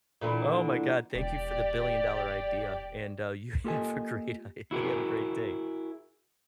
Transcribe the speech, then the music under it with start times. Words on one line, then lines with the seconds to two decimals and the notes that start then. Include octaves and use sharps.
Oh my god. Thank you for the billion-dollar idea, and, uh, you have a great day you have a great day.
0.21 A#2 D3 E3
1.14 E1 G4 D5
3.64 A#3 F4 G4 A4 D#5 G#5
4.71 E4 F#4 G#4 A#4